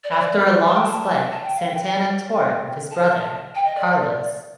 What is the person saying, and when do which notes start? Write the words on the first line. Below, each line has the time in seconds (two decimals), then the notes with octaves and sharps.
After a long split, Santana toured with his brother, Carlos.
0.04 D5
0.11 C5
0.19 D5
0.67 A5
0.75 G5
0.82 A5
1.31 A5
1.43 G5
1.56 F5
1.69 G5
1.95 G5
2.91 A5
3.55 G5
3.65 D#5
3.76 D5